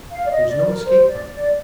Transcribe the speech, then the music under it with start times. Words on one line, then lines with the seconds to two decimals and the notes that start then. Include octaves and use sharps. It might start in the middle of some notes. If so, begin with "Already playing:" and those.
There's no escape from it.
0.12 F5
0.25 D5
0.30 D#5
0.49 D5
0.67 A#4
0.85 C5
1.08 D5
1.33 D5